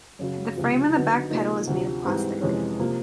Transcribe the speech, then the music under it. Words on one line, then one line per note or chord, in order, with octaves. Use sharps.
The frame and the back panel is made of plastic.
F#2 C#3 F#3
C#2 C3 F3
D3 F#3 B3 D#4
C3 F3 A#3 D#4
D2 C3 F3
G#2 E3 G3 C4
F2 C3 E3 G#3 C#4
C3 F3 A#3